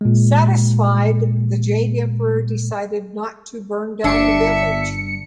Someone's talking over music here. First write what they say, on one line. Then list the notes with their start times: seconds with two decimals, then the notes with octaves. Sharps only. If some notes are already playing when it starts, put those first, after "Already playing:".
Satisfied, the Jade Emperor decided not to burn down the village.
0.01 A#2 G#3
4.04 G1 D4 E5 C#7